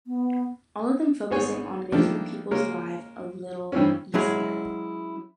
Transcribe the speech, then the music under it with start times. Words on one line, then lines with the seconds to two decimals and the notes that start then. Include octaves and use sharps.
All of them focusing on "making people's life a little easier".
0.07 B3
1.31 G#1 B3 G#4 C5 C#5 G#5
1.92 D#3 F3 G3 A3 A#3 D4
2.51 C#3 G#3 A#3 C#4 A#4
3.72 G2 D#3 E3 C4 C#4
4.14 F#3 G#3 C#4 E4 G#4